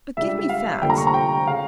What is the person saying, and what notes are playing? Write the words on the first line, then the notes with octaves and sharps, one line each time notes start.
But give me facts.
C#2 C#3 G3 D4 E5
F5
F1 F2 D3 G3 A#3 G5
A#5
C#6
A#5
G5
C#3 F5